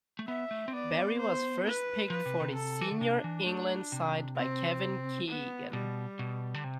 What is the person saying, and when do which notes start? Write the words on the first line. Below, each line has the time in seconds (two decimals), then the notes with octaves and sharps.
Barry was first picked for the senior England side by Kevin Keegan.
0.19 A3
0.27 B3 E5
0.51 A3
0.68 C4
0.73 B3 D5
1.19 C5
1.64 B4
2.10 F3 B4
2.26 C3
2.40 C3
2.55 A4
2.81 E3
2.91 D3
3.01 C3 D4
3.24 E3
3.46 A3
3.92 C3
4.36 C4
5.28 B3
5.73 B2 G3
6.19 B2
6.54 D3
6.64 C3